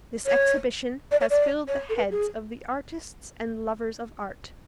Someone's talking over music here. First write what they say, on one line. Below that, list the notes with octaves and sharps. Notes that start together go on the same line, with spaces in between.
This Exhibition has filled the heads of the Artists and lovers of art.
C#5
D5
C#5
D5
C#5
A4
B4
G#4